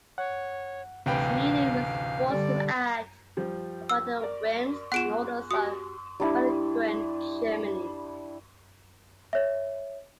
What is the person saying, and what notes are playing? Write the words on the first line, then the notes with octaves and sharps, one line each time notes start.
Sweden was forced to act upon the whims and orders of a belligerent Germany.
C#5 F#5
A1 D2 C3 B4 F5 G5
D3 G3 D5
F3 G3
E6
A#4 D5
B3 F4 G#4 F#5 F#6 D7 E7
F#4 G4 D#6
G3 D4 E4
C#5 E5